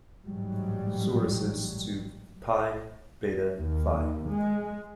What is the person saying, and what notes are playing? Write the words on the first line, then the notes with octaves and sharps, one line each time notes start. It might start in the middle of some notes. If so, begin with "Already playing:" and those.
Sorosis to Pi Beta Phi.
A1 G#2 F#3 G3
D#2
G#3